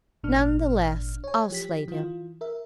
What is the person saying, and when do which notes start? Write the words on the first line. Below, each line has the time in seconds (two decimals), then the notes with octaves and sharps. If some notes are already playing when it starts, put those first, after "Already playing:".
None the less I'll slate him.
0.23 G#1 A#2 D4 F6
1.24 C#5 G#5
1.50 F3 G4 B6
1.88 E3 F4
2.41 A#4 E5